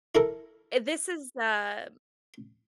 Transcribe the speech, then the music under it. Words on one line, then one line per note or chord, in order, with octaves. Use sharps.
Eh, this is, um
E4 A4 A#4